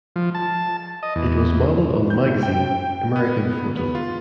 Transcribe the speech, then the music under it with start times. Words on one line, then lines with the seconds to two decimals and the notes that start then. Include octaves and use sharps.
It was modeled on the magazine "American Photo".
0.16 F3
0.35 A5
1.03 D#5
1.16 E2
2.10 G6
2.43 G5
3.16 B3
3.77 B3
3.95 F4